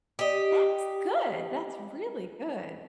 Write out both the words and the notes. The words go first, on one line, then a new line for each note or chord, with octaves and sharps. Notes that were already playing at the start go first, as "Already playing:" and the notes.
That's good! That's really good.
G4 D#5